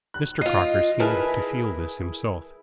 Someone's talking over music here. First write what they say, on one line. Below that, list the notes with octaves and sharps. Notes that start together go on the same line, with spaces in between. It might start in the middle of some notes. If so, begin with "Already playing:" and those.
Mr. Crocker seemed to feel this himself.
F#6
F4 D#5 C7
E4 G#4 A#4 B4 A5